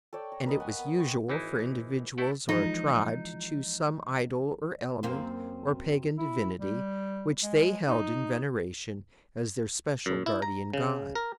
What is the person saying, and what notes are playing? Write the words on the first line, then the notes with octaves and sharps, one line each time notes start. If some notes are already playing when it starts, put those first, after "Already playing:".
And it was usual for individuals, or a tribe, to choose some idol, or element, or pagan divinity, which they held in veneration as their special guardian god.
A4 C#5 D5 G5
A#5
A#4 B4 D#5 A5
F#5 G#5
B3
B4 G5 C6 C#6
G#1 E3 D#4 E4
A3 E4 A4 D5
E3 F3 G#3 D#4
F#2 A#3 C4
E4
G3
G#3
D#4
F#2
E4
A#5
C#3
A#4